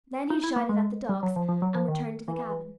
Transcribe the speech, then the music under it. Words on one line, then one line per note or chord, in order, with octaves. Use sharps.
Then he shouted at the dogs, and returned to the cabin.
D#4
E4
A#3
G#3
G3
F#3
F3
F3
F#3
F3
D#3
E3